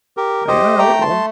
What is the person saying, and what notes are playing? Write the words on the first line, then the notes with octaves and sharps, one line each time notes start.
like, "Alright, well"
G4 A#4
G4 C5 D#5
A3 G5 A#5
A5 C6
A3